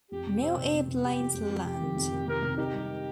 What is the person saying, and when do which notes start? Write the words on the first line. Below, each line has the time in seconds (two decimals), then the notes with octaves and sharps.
No airplanes land.
0.11 F2 G4
0.27 C3
0.42 C3 C4
0.57 F1
0.72 C3
0.88 F1
1.03 F1 G4
1.20 F2
1.34 F2
1.50 F2
1.65 C3 G4
1.81 D#3
1.96 F2
2.12 D#3
2.27 C3 A#4
2.42 C3
2.58 D#4 G4
2.73 G3